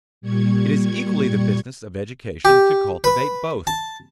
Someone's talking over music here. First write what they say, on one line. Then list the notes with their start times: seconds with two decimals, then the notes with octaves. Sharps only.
It is equally the business of education to cultivate both.
0.21 A#2 G3 C#6 G#6
2.45 G4
3.04 B4
3.67 A5